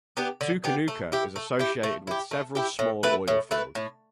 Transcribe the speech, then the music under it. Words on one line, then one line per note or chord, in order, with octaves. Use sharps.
Tookoonooka is associated with several small oil fields.
B3 D4 G4
D3
B3 D4 G4
A3
E4 G4
A3
E4 G4
A3
E4 G4
A3
E4 G4
A2
A3 E4 B4
A2
A3 E4 B4
A2